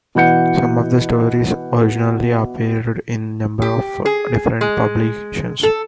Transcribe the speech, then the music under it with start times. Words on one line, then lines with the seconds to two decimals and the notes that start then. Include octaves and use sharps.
Some of the stories originally appeared in a number of different publications.
0.15 B2 E3 F#5 G6 C#7
3.62 G4
4.06 G#4
4.61 G#3
5.63 A4